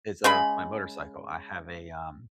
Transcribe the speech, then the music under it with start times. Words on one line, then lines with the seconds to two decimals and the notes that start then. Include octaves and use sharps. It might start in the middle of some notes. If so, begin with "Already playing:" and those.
is of my motorcycle. I have a, um
0.24 C#3 G#3 B5